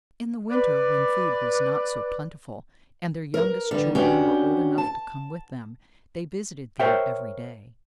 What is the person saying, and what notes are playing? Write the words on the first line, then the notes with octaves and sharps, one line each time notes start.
In the winter, when food was not so plentiful and their youngest children were old enough to come with them, they visited there every day.
B4 D5
A#4
D3 G3 B3
C#4 D4 F#4 G4 G5
A5
A#4 C5 C#5 E5 G5